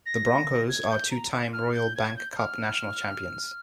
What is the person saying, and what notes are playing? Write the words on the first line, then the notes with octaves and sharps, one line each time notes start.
The Broncos are two-time Royal Bank Cup national champions.
A#6
G#6
G6
A#5
F6
G6
G#6
G6
G6
F6